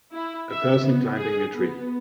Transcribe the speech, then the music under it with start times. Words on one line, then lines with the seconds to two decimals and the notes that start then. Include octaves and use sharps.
A person climbing a tree.
0.14 E4
0.51 E5
0.84 B3
1.17 G#4
1.54 B3